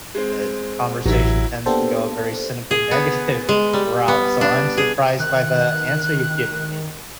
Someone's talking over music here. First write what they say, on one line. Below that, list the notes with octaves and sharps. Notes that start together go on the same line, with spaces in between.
the conversation tends to go a very cynical, negative route, so I'm surprised by the answer you've given me,
G#3 C4
A1 F#3 E4
A#3 B3 D4 G4 A4 C5
G#4
B3
G#3
G3
B3
D4
G#4
D#3 F#6